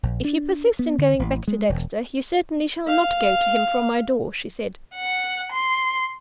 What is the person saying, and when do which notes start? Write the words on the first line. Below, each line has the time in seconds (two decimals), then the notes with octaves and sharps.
"If you persist in going back to Dexter, you certainly shall not go to him from my door," she said.
0.03 A#1
0.25 D4
0.79 B3
0.98 D3
1.19 A1
1.48 G#3
1.69 E1
2.87 F5
4.95 F#5
5.52 C6